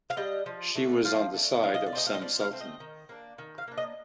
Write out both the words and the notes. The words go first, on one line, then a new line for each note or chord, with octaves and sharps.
She was on the side of Cem Sultan.
F5
G3 D4 D#5
F3
A3 D4
F3 F5
A3 D4
F3 F5
D#5
D5
A3 C4 D#5
F5
D#5
F3 D5
F5
A3 C4
D#5
D#3
A#3 D4
D#3
F5
A#3 D4
D#5